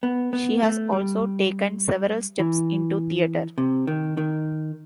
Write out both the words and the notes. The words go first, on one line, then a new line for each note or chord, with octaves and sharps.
She has also taken several steps into Theater.
B3
B3
A3
G3
E3
C3
D#3
D#3